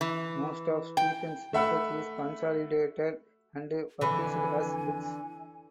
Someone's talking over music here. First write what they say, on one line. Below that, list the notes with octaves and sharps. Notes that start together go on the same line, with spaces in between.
Most of Stebbins research is consolidated and published as books.
E3
G5
A3 E5 F#5 B5 E6
F2 D3 E3 G#5 B5